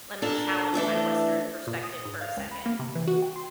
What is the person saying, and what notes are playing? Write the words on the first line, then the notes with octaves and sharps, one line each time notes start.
let me challenge my Western perspective for a second
A#2 D4 A4 A#4
E3 A3 D4 A4
A#2
D#6
G#2
F5
C#2
B5
A#3
C3
E3
F#4
G5
C6